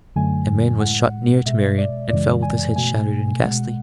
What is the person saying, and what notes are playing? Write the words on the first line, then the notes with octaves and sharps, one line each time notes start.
A man was shot near to Marian, and fell with his head shattered and ghastly.
F#2 D3 F#3 A3 G#5
A2 G#3 F#5
B2 G#3 E5
D5
F#2 C#3 E3 G#3 D5
G#5
B2 A3 G#5
B2 G#3 F#5